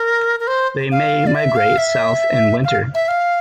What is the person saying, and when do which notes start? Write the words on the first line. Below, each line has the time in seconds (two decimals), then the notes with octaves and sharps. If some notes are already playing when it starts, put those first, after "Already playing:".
They may migrate south in winter.
Already playing: A#4
0.40 A#4
0.47 C5
0.92 F5
1.27 D5
1.35 E5
1.56 F5
1.78 E5
2.65 F5
2.94 E5
3.08 F5